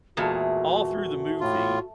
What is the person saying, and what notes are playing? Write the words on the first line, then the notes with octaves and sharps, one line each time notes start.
all through the movie,
E2 A#2 G#3 A3 F#4 F5
A2 F4